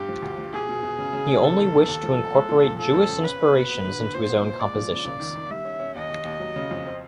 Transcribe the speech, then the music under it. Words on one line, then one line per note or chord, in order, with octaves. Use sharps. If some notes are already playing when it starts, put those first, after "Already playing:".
He only wished to incorporate Jewish inspirations into his own compositions.
Already playing: G2 G4
F3
D2
F3
B2 G#4
B2
B2
C#3
C#3
C#3
C3 A4
D#3
D#3
D#2
F3
F3
G#3
A#2
A#2
F3 A4
F2
C#3
C#4 B4
C#4
B2
B3
D3
D3
A#2 C5
B3
A#2
G#3 D5
F3
C#3
C#2
D#3
D#3
G3 E5
C#4
C#4
D#2 D#5
D#2
D#2
F#3
C#3
F2
C4